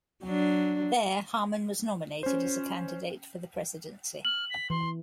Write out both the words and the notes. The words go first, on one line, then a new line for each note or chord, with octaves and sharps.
There, Harmon was nominated as a candidate for the presidency.
F#3 D4
C#4 C5
F6 F#7
B6
E3 C6